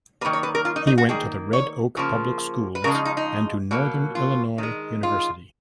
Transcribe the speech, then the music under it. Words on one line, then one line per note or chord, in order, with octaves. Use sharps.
He went to the Red Oak public schools and to Northern Illinois University.
D#3 F#3 A#3 B4
C#5
B4
A#4
F4
D#4
D#4
F#4
D#3 A#3 G#4
C#5
C#3 F3 A#3
B4
C#3 F3 G#3 A#4
D#4
D#4
D#4
B2 F#3 A#3
F4
D#3 G#3
F4